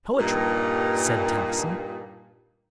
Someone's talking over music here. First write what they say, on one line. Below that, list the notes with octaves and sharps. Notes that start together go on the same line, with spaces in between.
"Poetry," said Tennyson.
G2 A#2 D#4